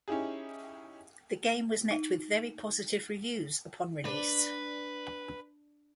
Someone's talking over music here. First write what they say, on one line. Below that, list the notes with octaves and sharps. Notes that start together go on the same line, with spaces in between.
The game was met with very positive reviews upon release.
C#4 D#4 E4 G4 G#4
D#4
D4 B4